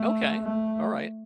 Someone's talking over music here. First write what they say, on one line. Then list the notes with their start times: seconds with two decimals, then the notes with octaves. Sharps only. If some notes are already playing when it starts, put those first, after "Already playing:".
Okay. Alright.
Already playing: A3
0.42 A3